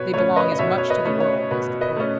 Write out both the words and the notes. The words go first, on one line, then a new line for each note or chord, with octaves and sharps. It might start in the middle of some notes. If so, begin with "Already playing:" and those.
They belong as much to the world as to Poland.
Already playing: B2 B4 C#5
A3 C#4 C#5
B4 D#5
D#5
B2 C#5 E5
C#5
B4 D#5
A3 C#4
C#5
B2 B4
B4 D#5
A3 C#4